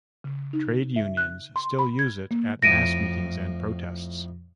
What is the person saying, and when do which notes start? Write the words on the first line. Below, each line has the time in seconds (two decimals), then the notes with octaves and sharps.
Trade unions still use it at mass meetings and protests.
0.24 C#3
0.53 D#4
0.96 E5
1.17 F#6
1.56 C6
1.79 B5
1.99 G#6
2.31 A#3
2.62 F2 A2 A#6 D7 D#7